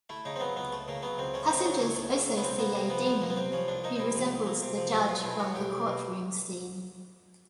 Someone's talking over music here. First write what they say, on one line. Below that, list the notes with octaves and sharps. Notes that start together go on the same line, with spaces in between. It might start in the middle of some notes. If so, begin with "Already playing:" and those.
Passengers also see a demon who resembles the Judge from the courtroom scene.
A3 E4
C#3 D#4
C4
F#3 B3
C#2 B3
A3
C#3 A#3
F#3 B3
C#2 C4
A3 C#4
C#3 C4
D#4
F#3 D4
C#2 C#4
A3
C#3
F#3
B3
C2 C4
A#3 B3
C3 A#3
F3 B3
C2 B3
A#3
B3
C3 C4
F3 C#4
C2 D4
A#3 D#4
D#4
C3 E4
F3
C2
A#3
C3
F3
B1 F#4
B1 F4
B2 E4
F#3 F#4
B1 G4
B1
B2